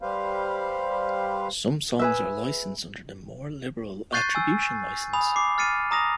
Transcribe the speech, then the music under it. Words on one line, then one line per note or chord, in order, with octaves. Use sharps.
Some songs are licensed under the more liberal Attribution license.
G3 G4 B4 C5 F5
G#4 B4 E5
C#6 F#6 G6 A6 C7 D#7
G#5 E6
G#5 B5 D#6 F7
D6 C7
F6 A6 C7 C#7 D#7
A#5 D#6 A#6 F7